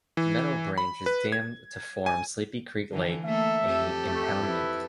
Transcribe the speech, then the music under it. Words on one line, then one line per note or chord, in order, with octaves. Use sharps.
Meadow Branch is dammed to form Sleepy Creek Lake, a impoundment.
E3
B5
B4
G#6
G#5
D3 E3
A3 A#3 A4 E5
F2 G4 A4
A3
E4 B4